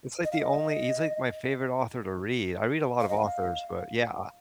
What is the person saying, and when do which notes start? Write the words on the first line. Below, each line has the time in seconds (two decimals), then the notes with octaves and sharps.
It's, like, the only he's, like, my favorite author to read. I read a lot of authors, but, yeah, I
0.25 D#5
0.32 F5
0.40 D#5
3.00 F5
3.09 D#5
3.17 F5